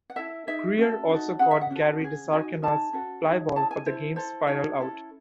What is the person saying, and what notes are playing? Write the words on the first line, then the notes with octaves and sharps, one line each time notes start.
Greer also caught Gary DiSarcina's fly ball for the game's final out.
F#5
E4 A4 E5
D#4 G#4 E5
C#4 F#4 A4
D#4 F#4 A4
C#4 G#4 F#5
E5
F#5
C#4 F#4 A4
C#4 G#4
D#4 F#4 G#5
D#4 G#4 A5
C#4 F#4 A4
D#4 G#4
E4 G#4 A5
G#5
E4 A4 C5
E4 A4 C5
D#4 F#4 A4 C#5
C#4 E4 A4